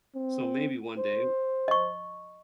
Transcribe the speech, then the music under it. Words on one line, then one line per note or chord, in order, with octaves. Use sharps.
So, maybe one day.
C4
C5
D#5 C#6